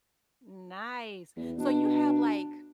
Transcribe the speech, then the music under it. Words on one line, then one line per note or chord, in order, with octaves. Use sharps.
Nice. So you have, like,
E2
B2 D4